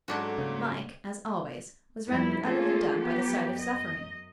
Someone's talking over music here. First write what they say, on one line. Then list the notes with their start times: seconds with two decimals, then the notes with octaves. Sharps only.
Mike, as always, was rendered utterly dumb by the sight of suffering.
0.08 G#2 F#3 A3 C#4 D4 F#4
0.38 C#3 A#3
2.08 F2 G3 E4
2.41 A3 A#3 C#4 F4 G#4 A4
3.00 F#3 B3 G4
3.53 F#2 D#5